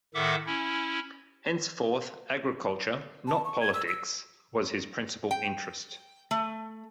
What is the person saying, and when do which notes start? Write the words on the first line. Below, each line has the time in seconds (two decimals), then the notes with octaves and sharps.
Henceforth agriculture, not politics, was his principal interest.
0.14 A2 D#3 A4 E5 F#5 D6
0.46 C#4 E4
3.28 A5
3.45 C#6
3.61 G#6
3.74 E6
3.88 E6
5.31 G5
6.31 A3